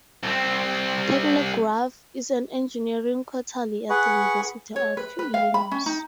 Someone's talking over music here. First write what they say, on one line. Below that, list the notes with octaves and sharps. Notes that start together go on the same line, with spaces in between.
"Technograph" is an engineering quarterly at the University of Illinois.
C2 C4
G#4 B4 F#5 C#6
C#5
B4
B4
F5
B5
C#4
D#4